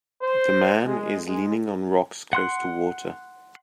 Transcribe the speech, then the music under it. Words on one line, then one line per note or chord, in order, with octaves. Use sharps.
The man is leaning on rocks close to water.
C5
G#3
G#3
F#5 C6 F#6